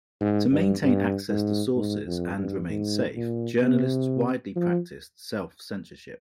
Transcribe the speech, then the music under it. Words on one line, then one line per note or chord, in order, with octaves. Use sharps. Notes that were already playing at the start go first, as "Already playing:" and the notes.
To maintain access to sources and remain safe, journalists widely practiced self-censorship.
G#2
G2
G2
G#2
G#2
F2
G2
G#2
A#2
C3
F3